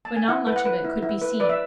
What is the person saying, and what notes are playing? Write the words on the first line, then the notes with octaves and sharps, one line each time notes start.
But not much of it could be seen.
A5
G#5
E4 F#5
B4
F#5
B4
E4
E4
B4
B4 D5
E5